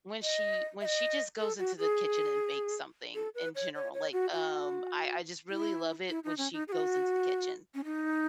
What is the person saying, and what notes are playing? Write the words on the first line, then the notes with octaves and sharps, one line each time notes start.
when she when she just goes into the kitchen and bakes something, in general, like, um, I I just really love it when she goes into the kitchen.
D#5
E5
D#5
A4
F#4
G#4
A4
B4
C#5
C#5
C#5
F#4
F#4
E4
E4
D#4
C#4
D#4
G#4
F#4
C#4
D#4